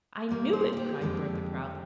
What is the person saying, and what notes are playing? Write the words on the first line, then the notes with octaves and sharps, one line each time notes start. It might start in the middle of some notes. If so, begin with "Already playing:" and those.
"I knew it!" cried Bertha, proudly.
A#2 G3 A#3
C5
G#4
G4
F2 D3 G#3